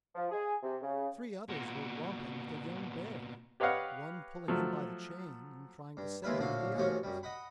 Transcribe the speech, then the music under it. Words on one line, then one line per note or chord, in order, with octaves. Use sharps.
Three others were romping with a young bear, one pulling him by the chain and trying to set him at the others.
F3
G#4
C3
C#3
A#2 B3
G4 B4 C#5 D#5 F5 F#5
F3 F#3 A3
G2
D#2 G#3 E4 F4 B4
A#1 A2 D3 F#4 F5
A1 D#2 F3 C#4 F#4 C#6
F#2 G3
D#5 F#5 B5